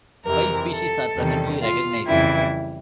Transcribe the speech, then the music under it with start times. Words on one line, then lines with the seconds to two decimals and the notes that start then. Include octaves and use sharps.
Five species are presently recognized.
0.24 F2 C3 E3 A#4
0.70 A4
1.15 E2 C3 D#3 G3
1.61 F4
2.07 F2 C#3 E3 G3 E4